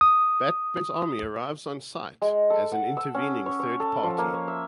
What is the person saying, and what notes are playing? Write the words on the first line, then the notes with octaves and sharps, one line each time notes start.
Batman's army arrives on site as an intervening third party.
D#6
G#3
A4
F#5
E6
C#4
C#5
C#5
A4
F3
A#3
C#5
E5